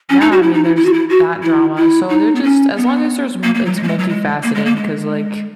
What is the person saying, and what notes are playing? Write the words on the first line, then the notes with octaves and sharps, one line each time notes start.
Yeah, I mean, there's that drama. So, they're just as long as there's m it's multifaceted, 'cause, like
C#4
D#4
F#4
E4
D#4
E4
E4
F#4
E4
F#4
E4
E4
D#4
B3
C#4
B3
A#3
A#3
F#3
G#3
A#3
G#3
F#3
G#3
A#3
G#3
A#3
G#3